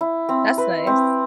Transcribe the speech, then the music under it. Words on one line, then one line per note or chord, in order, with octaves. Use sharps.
That's nice.
E4
C4
B4
C4